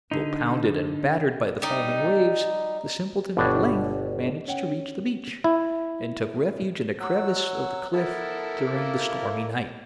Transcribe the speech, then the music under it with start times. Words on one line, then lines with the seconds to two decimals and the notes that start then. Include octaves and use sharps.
Though pounded and battered by the foaming waves, the simpleton at length managed to reach the beach, and took refuge in a crevice of the cliff during the stormy night.
0.11 D3 D#4
1.62 G3 D#4
3.37 G1 B2 D4 G4 C#5 D#5
4.48 C#4 F#5 G5
5.44 E4
7.00 F#3 F#5 E6
7.93 B3 E4 A4 A#4 A5
8.73 A#3